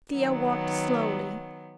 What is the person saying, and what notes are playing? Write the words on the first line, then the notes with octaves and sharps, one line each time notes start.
Thea walked slowly.
D#3 F#3 B3